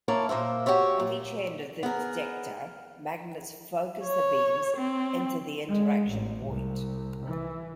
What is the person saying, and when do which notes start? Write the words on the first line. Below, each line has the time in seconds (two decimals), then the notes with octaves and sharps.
At each end of the detector magnets focus the beams into the interaction point.
0.08 A#3 E4 A#4 C#5 A5
0.29 A#2 A#3 C5 E5
0.66 F#4 G4 C5 C#5 E5
1.00 A#2
1.83 B3 G#4 A#4
4.04 C#5
4.76 C4
5.69 G#3
6.10 A1
6.48 C2
7.27 E3